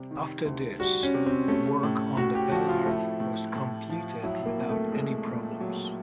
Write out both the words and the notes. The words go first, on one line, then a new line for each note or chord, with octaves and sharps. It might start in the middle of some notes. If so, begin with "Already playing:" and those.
After this, the work on the Vellard was completed without any problems.
Already playing: C3 G3
D#3
D2
G3 F#4
C#4
C3
C4
A3 C#4
A2
A2 F#4
G4
F3 F#4
F4
A3 E4
A2
A2
F3
F#3 E4
A#3
C2
A3
C2 G#3
A#2
F#3